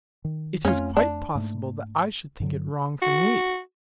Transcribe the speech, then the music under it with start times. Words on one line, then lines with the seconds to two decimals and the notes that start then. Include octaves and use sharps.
"It is quite possible that I should think it wrong for me."
0.25 D#3
0.65 F2 A3 C4 C#4 F4
0.97 D4
1.35 G#2 A3 A#3
2.40 G2 D3 F#3
3.02 F#4